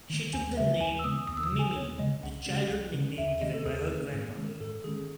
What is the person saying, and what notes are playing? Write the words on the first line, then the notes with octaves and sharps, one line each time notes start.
She took the name "Mimi", the childhood nickname given by her grandmother.
D#3 A3
D#2 G#5
C#3 G#3 B3 E5
D#2 G#5
E6
C#3 G#3 B3 D#6
D#2 D#6
E6
D#6
C#3 G#3
G#5
D#2 C#5
C#3 G#3 D#5
C#2 F#5
C#3 G#3 C#4
C#2
C#3 G#3 C#4
D#2 E5
D#3 A3 C#4 D#5
A4
D#2 G#4
D#3 A3 C#4
G#2
D#3 G#3 C#4
G#2 A4
D#3 G#3 C#4 G#4